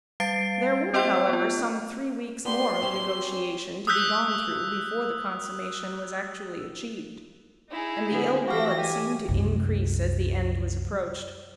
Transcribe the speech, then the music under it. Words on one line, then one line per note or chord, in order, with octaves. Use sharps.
There were, however, some three weeks more of negotiation to be gone through before the consummation was actually achieved, and the ill blood seemed to increase as the end was approached.
G3 F5 A6 C7 D7
C4 C5 D#5 G5 C6
B3 F4
B3 D4 G4 C6
C4 C#4 G4
D#6 E6 F#6 G6 B6
D#4 E4 G#4
D3 B3
E3 F#4 G4 F5 G5 A#6
G4 G#5
C2 F#2